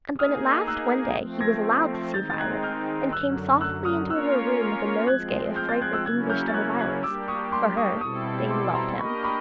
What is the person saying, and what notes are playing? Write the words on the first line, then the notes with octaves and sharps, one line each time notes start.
And when at last, one day, he was allowed to see Violet, and came softly into her room with a nosegay of fragrant English double violets, for her, they loved him.
A#3 D#4 G#4 D#6 F6
E6 F#6
F3 A3 C4
G#6 A#6
D#3 G#3 C4 D#4 G6 A6
A6
F#6 G#6
F6 G6
F#2 D3 F#3 E6 F#6
E6 F#6
D#6 F6
A#3 C#4 F4 A#4 C#5 E6 F#6
F3 G#3 C4 F#6 G#6
F6 G6
G6 A6
F#6 G#6
E6 F#6
C#3 F#3 A#3 C#4 E4 F#6 G#6
F6 G6
A6
F#6 G#6
F#6 G#6
G3 A#3 D4 G4 D6 E6
C#6 D#6
C6 D6
C#6 D#6
B2 G3 C4 E4 A4 C#6 D#6
C6 D6
A#5 C6
A#3 D4 G4 A#4 D#5 B5 C#6
B5 C#6